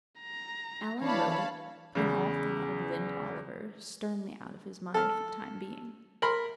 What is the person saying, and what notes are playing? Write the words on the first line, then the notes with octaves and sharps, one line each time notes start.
Alan wrote it, putting all thought of Lynde Oliver sternly out of his mind for the time being.
A#5
E3 D4 C#5 F5 A5 B5
E2 C#3
A4 F6
A#4 B5 C6